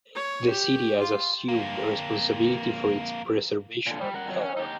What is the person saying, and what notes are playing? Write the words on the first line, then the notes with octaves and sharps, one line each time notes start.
The city has assumed responsibility for its preservation and care.
C#5
G4
F4
F2 A#3
A#2 D3
G3
A#4 F#5
F2 F#3
C#4
D#4 G4